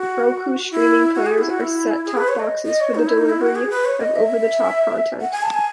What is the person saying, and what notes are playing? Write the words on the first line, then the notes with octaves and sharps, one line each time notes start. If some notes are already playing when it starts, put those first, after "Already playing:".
Roku Streaming Players are set-top boxes for the delivery of over-the-top content.
Already playing: F#4
E4
F#4
G#4
E4
F#4
E4
G#4
B4
C#5
D#5
D#5
C#5
D#4
E4
D#4
E4
F#4
G#4
B4
C#5
D#5
E5
F#5
G#5
A5
G#5